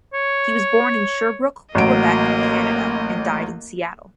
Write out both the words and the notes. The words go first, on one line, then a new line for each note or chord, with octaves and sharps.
He was born in Sherbrooke, Quebec, Canada and died in Seattle.
C#5
A1 F#3 A#3 D#5 D7